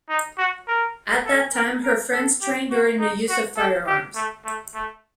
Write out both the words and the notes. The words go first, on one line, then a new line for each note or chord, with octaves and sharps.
At that time, her friends trained her in the use of firearms.
D#4
F#4
A#4
A4
A#4
A#4
A4
G4
F#4
D#4
F#4
A4
G4
A3
A3
A3